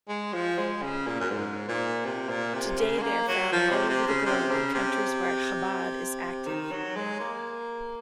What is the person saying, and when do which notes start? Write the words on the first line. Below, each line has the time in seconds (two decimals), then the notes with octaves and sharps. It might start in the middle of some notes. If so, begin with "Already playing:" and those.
Today they are found all over the globe in countries where Chabad is active.
0.09 G#3
0.33 F3
0.58 G#3
0.82 C#3
1.07 A#2
1.20 F#2
1.31 G#2
1.68 A#2
2.05 C3
2.29 A#2
2.54 C3
2.78 C#3
2.98 G#3
3.03 A#3
3.28 F#3
3.52 F3
3.71 C3
3.89 C3
4.08 C#3
4.26 C3
4.51 C#3
4.74 C3
6.46 D#3
6.71 F#3
6.96 G#3
7.20 A#3